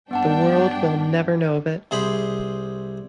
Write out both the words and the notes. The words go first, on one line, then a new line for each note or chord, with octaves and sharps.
The world will never know of it.
G2 B3 D4 F#5 G5 A5
C2 G#4 C5 B5